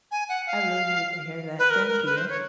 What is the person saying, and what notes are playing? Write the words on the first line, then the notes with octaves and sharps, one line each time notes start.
I really needed to hear that. Thank you.
G#5
F#5
F5
B4
A#4
A#4
B4
C5
C#5